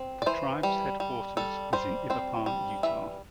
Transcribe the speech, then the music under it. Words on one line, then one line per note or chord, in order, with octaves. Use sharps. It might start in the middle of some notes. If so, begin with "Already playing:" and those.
The tribe's headquarters is in Ibapah, Utah.
Already playing: C4
D5
E3 C5
G3
G3
G3 A4
G3 C5
C4 C5
G3
E3 E5